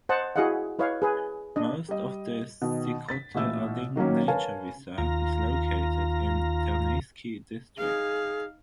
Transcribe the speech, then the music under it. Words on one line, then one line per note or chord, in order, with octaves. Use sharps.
Most of the Sikhote-Alin Nature Reserve is located in Terneysky District.
C5 D#5 F#5 A5
E4 F#4 G#4 D#5 F5 F#5
E4 B4 C#5 D#5 F5
G#4 B4 G#5
D4 D#5
G3 D#5
B2 D#3
A6 B6
A1 A#2 E4 E6
D#3 F#3 A#3 C#4
A#4 B4 C#5 F5 G#5 A5
D#2 F4 A#5
D#4 G#4 F5